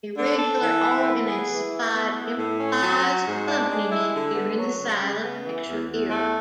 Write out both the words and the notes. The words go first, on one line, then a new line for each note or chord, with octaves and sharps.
A regular organist supplied improvised accompaniment during the silent picture era.
D3
A4
E3
E4
B3
G#4
E3
E4
B3
E4
A2
C#4
F#3
F#4
G#2
D4
G#3
E4
D3
B3
F#3
C#3
C#3
B3
E3
E2
E2
A3